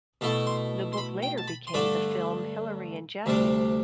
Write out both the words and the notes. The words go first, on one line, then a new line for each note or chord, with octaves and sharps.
The book later became the film "Hilary and Jackie".
B2 A3 E4 A5
C6
C6
B5
G5
A5
B5
C6
G2 D3 A3 D4 B5
D2 C3 G3 D4